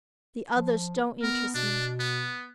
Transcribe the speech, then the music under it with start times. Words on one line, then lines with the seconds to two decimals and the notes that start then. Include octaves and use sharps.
"The others don't interest me."
0.56 F3
1.23 B3 A#4
1.55 B2 D4
2.00 B3